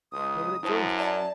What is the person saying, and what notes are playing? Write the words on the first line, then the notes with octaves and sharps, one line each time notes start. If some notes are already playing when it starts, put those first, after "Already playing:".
"Where will it join us?"
C#2 D#6
F#2 E4 C5 A5
D5 E5 A5